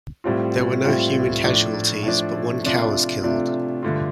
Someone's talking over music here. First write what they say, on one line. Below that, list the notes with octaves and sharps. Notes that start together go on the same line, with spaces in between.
There were no human casualties, but one cow was killed.
A2 G3 C4 F4
A2 G3 C4 F4
A2 F3 D4
A2 F3 D4
C3 A3 D4 F4
C3 A3 D4 F4
G2 D3 A3 F4